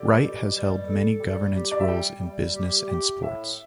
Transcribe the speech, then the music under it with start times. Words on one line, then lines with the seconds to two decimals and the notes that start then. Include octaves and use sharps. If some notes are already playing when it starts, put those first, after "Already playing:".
Wright has held many governance roles in business and sports.
Already playing: D3 G4 D5
0.20 B2
0.53 G3
0.87 A4
1.20 G3
1.54 G4
1.71 D5
1.79 E5
1.88 G3 G5
2.21 G3
2.55 G4
2.89 G4
3.22 A2 E5